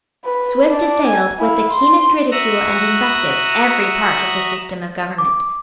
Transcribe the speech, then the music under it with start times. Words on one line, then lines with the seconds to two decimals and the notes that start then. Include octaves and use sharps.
Swift assailed, with the keenest ridicule and invective, every part of the system of government.
0.24 B4
0.67 D4
1.07 G#5
1.39 E4 F5
1.70 C6
2.31 F#4 E5 F#5 A#5 D#6
5.18 D6